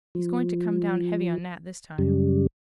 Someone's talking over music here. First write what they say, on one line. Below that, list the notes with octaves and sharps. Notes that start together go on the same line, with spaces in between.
He's going to come down heavy on Nat this time.
F3
F#2 C#3 G3